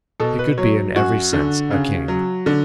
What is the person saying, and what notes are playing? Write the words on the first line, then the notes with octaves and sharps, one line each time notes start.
He could be in every sense a king.
B2 A4
B4
F#3 C#5
F#2 F#4
D3
C#3
F#3
D3